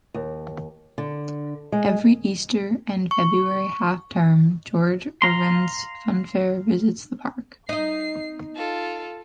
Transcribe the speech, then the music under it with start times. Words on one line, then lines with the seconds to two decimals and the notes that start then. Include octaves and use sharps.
Every Easter and February half-term George Irvin's Funfair visits the park.
0.14 D#2
0.98 D3
1.72 G#3
3.11 C#6
5.22 F5 A#5 C6
7.69 D#4 D#5 C7
8.56 F4 A4